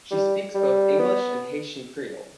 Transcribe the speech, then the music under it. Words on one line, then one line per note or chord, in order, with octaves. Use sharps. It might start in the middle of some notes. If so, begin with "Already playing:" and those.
She speaks both English and Haitian Creole.
G3
G3
B3